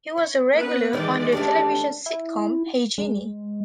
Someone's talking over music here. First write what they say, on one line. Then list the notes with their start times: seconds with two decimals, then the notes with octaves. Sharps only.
He was a regular on the television sitcom Hey, Jeannie!
0.17 C#5
0.53 B3 B4
0.93 D#3 E3 G#3 D#4 D5
1.32 A3 C#4 D4 G4
2.06 E4
2.98 G#3